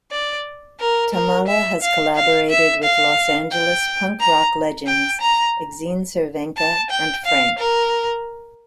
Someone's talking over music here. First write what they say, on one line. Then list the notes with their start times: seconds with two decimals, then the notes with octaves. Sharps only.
Tamala has collaborated with Los Angeles punk-rock legends, Exene Cervenka and Phranc.
0.12 D5
0.80 A#4
1.14 A#4
1.48 E5
1.83 F5
2.16 F5
2.50 E5
2.84 F5
3.52 G5
4.20 A#5
4.87 G5
5.21 A#5
6.57 A5
6.91 G5
7.26 F5
7.59 A#4